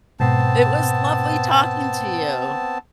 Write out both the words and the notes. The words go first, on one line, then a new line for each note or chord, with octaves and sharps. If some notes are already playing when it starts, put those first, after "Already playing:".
It was lovely talking to you.
G#2 B2 B3 C4 A5